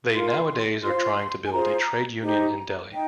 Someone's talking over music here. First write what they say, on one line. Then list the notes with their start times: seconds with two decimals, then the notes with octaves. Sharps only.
They nowadays are trying to build a trade union in Delhi.
0.14 F4 A#4 C6
0.83 F4 C5 C6
1.45 G#5
1.53 F4 G#4 C5 A#5
2.22 D#4 G4 C5 A#5
2.92 D#4 G5